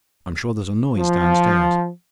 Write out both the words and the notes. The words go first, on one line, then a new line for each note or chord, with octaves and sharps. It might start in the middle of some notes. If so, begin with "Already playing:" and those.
I'm sure there's a noise downstairs.
F3